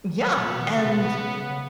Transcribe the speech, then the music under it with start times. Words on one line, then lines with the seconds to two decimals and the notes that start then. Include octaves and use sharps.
Yeah, and
0.23 F#3 B3
0.37 A#2
0.51 B2
0.60 E3
0.65 D#3
0.77 C#3
0.86 B2
0.97 B2
1.08 C#3
1.50 C#3